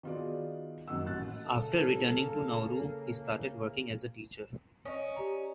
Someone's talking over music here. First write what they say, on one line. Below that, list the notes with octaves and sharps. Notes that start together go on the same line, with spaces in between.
After returning to Nauru, he started working as a teacher.
D#3 B3 F4 F#4 G#4 D5
F#2 D#3 A#3 F#5 E6
A1 F#6 A6
C#3 A#3 A4
C#4 D#5 D#6
G4 D5 A#5